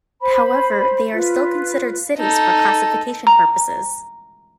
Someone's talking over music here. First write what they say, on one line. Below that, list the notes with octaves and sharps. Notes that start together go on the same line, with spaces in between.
However, they are still considered cities for classification purposes.
C5 B5
F4 B4
D#4 A4
A#5